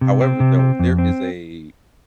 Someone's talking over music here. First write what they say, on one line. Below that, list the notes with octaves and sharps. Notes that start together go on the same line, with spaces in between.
however, though, there is a
C3
C4
C3
C4
F2
C4